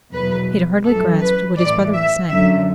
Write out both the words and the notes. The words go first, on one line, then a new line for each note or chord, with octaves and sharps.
He had hardly grasped what his brother was saying.
E2 B2 F#3 B4
F#2 E3 A4
B4
A2 E3 D5
E5
F#2 D3 F#3 E5